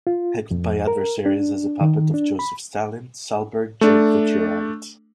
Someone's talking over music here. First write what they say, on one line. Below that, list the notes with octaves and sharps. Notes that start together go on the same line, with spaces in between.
Heckled by adversaries as a puppet of Joseph Stalin, Salsberg joked that You're right.
F4
F2
A#4
D4
D#3
D4
B5
A3 D4